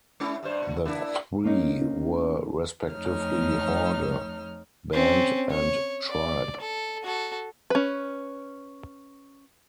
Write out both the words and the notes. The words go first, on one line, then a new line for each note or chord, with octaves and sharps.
The three were respectively 'horde,' 'band', and 'tribe'.
G#3 C#4 E4
G2 G3 C5
A#2
A#3 D4 E4
A#3 C#4 D#4
F2 A3 D#4 C#5 F6
C4 C#4
C#5
D5
A4
F#4 A4
C#4 B4